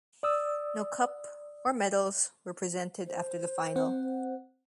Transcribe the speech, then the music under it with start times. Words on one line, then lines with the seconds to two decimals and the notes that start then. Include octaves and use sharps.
No cup or medals were presented after the final.
0.23 D5 D#6 E6
3.07 C5
3.76 C4 F#5